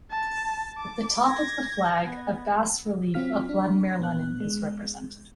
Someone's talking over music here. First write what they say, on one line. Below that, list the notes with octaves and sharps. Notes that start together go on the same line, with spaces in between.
At the top of the flag a bas-relief of Vladimir Lenin is represented.
A5
D6
G#6 A#6
B3
F#3 C4 F4 F5 F6 B6
D4
A#2 B3 F#6
G#3